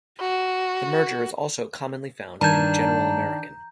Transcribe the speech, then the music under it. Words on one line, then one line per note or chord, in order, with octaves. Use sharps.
The merger is also commonly found in General American.
F#4
G2 D#3 D4 A5 A#5 G6 G#6